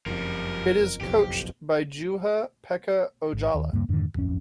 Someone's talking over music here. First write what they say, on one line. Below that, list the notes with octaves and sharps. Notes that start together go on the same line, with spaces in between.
It is coached by Juha-Pekka Ojala.
F#1 F2 F3 G3 A#4
F#1 B1 F2 G4
G#1
D#2
D2 G2 C#3 A#3
F2 G#2 D3 D#3
D1 G1 F2 C#4